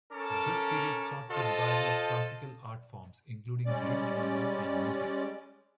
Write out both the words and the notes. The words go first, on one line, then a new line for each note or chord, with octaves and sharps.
This period sought the revival of classical art forms, including Greek drama and music.
C#4 A4 A#4 A5 D6
F4 A4 C5 D#5 A5
G3 G#3 C#4 D5